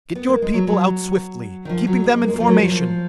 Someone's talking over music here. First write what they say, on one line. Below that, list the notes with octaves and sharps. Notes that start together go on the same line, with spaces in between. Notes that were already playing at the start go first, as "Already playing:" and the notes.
Get your people out swiftly, keeping them in formation!
B3
A#3
G#3
F#3
F#3
D#3
F3
F#3
G#3
A#3
G#3
A#3
F3
F#3
F3
F3